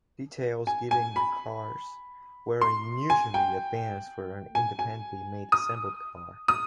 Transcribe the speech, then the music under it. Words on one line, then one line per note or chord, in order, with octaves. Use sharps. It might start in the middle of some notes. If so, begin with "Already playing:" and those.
Details given the cars were unusually advanced for an independently made assembled car.
G#5
G#5
B5
C6
G#5
G5
G#5
G#5
D#6
D#6